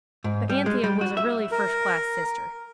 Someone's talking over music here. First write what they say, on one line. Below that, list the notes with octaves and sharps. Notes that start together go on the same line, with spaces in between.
But Anthea was a really first-class sister.
G#2
G3
G#3
G3
F#4
E5
A#4